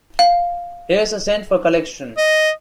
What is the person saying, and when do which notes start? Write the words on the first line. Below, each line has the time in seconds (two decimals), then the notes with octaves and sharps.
Here’s a cent for collection.
0.19 F5
2.17 D#5